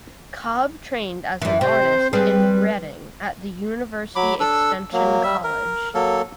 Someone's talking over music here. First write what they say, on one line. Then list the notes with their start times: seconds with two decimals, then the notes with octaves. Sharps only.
Cobb trained as an artist in Reading at the University Extension College.
1.42 F#2 E3
1.61 C3 C5
2.13 G3 C4 G#4 B4
4.16 F#3 B5 D6
4.40 D4 A4 E6
4.93 F#3 A#3
5.23 G3 E5
5.44 A#4
5.94 F#3 A#3 A4